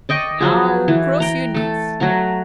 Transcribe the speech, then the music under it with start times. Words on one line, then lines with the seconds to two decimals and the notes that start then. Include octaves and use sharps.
"Now cross your knees."
0.09 D5 D#5 G5 C#6
0.41 F3 F#3 F#4 G#4
0.88 E3
1.20 G5 A#5
1.54 A3 A4
2.00 F#3 A3 F#4 A#5